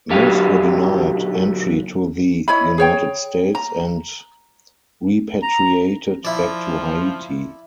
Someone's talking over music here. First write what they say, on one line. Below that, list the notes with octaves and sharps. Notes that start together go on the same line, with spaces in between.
Most were denied entry to the United States and repatriated back to Haiti.
B1 A#2 D3 F#3 G4 F5
E4 C#5 D#5 B5
G#4 C#5 G5
A#5
A#5
F3 E4 D5